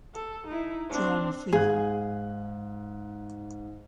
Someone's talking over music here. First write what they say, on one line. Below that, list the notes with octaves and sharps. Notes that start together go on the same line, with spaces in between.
John Feaver.
A4
D#4 E4
C4 D4
G#2 G#4 F5 F#6